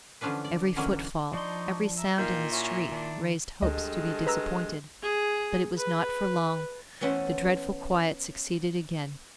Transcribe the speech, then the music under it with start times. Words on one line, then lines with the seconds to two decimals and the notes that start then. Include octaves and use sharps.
Every footfall, every sound in the street, raised hopes to be disappointed; but it was not for long, the dreadful quiet succeeded again.
0.21 D3 E3 F3 C#4 D4 B4
0.44 D5
0.76 B2 D3 E3 F#3 A#3 C#4
1.33 F3 D4 D#4 D5 C6 C#6
1.97 E5 A#5
2.18 A#2 D#3 F5 G6
2.52 C#4 E4 F#4 C#5
2.92 D#3 D4
3.62 D2 G2 G#3 A4 D#5
4.27 B4 A#5 E6
5.02 G#4
5.77 B4
7.01 E3 A3 B3 C#4 C5 E5